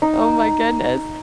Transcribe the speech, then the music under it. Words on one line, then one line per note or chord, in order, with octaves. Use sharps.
Oh my goodness.
D#4